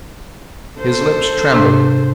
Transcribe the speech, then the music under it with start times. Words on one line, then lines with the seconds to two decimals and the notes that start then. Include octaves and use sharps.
His lips trembled.
0.80 A4 C5
1.52 G#2 C3 D4